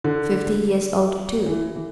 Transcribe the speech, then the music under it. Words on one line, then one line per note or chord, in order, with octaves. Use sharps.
Fifty years old, too!
D3
E3
E3